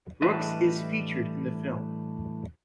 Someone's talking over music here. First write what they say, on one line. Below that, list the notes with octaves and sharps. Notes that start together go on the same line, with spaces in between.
Brooks is featured in the film.
A2 E3 G3 D4 B4 D#5